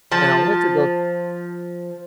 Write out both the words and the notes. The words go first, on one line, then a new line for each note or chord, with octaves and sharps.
and I went to go
F3 A5